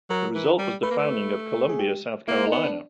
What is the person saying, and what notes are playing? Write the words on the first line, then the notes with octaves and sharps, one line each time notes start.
The result was the founding of Columbia, South Carolina.
F#3 A#4
E3
G3
A3 B4
A#3
A3
G#4
G4
A#3 E4
B3 D#4
D4